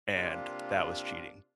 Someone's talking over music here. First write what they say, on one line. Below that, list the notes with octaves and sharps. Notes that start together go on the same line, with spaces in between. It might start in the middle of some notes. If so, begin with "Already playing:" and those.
and that was cheating.
C3 A#3 D4 F4